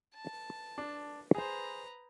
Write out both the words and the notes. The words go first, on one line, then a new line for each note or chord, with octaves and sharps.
He expects them to carry messages for him to their kindred.
A5
D4
G#4 B4 C5 A#5